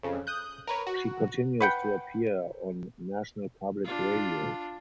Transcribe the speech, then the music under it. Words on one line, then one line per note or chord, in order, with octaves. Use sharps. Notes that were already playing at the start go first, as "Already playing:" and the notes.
She continues to appear on National Public Radio.
F2 C#3
D#6 F#6 G6
A#4 B4 C#5
F#4
B4 F#5 G5
D4 F4